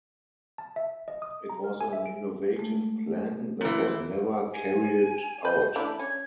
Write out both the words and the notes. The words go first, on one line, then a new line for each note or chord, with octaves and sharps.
It was an innovative plan that was never carried out.
A5
E5
D#5
D#6
A#5
A#4
G#5
E5
D7
G#3 A3
A#2 E3 B4
G#5
B4 G6
E3 A3 D4 B5
C#4 G#6